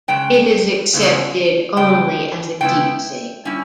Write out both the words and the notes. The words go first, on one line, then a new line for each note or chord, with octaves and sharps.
It is accepted only as a keepsake.
C#3 G#3 G5
C#3 G#3 B3 E4
C#3 G#3 G5
C#3 G#3 B3 E4 G5
G3 C#4 E4